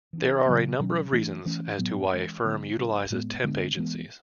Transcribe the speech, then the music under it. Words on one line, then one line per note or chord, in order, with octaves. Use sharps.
There are a number of reasons as to why a firm utilizes temp agencies.
E3 B3 D4
C#3 F#3 B3
B2 F#3 C#4
E3 A3 D4
E3 A3 C#4
A2 F#3 B3
E3 G#3 C#4
D3 F#3 B3 D4
C#3 F#3 B3 D4
A2 G#3 B3
D3 G#3 B3 D4
E3 G#3 B3